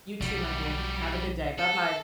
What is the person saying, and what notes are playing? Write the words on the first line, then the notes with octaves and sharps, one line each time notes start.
You too, my dear. Have a good day. Bye-bye.
B1 G3 F#4
A4